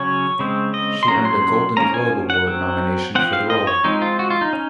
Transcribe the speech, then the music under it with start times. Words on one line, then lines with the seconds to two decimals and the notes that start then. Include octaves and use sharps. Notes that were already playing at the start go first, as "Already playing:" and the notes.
She earned a Golden Globe Award nomination for the role.
Already playing: C#3 F#3 C#4 C#5
0.39 C#3 G#3 C4
0.74 D#5
1.03 C6
1.08 F#3 A#3 C#4 A#5
1.25 C6
1.77 F3 A#3 C#4 A#5
1.94 G#5
2.30 F#5
2.47 F#3 C4
3.15 F3 C4 F#5
3.33 F5
3.50 D#5
3.67 C#5
3.84 F3 G#3 C4 D#4
4.02 F4
4.19 F#4
4.30 F4
4.41 D#4
4.53 C#4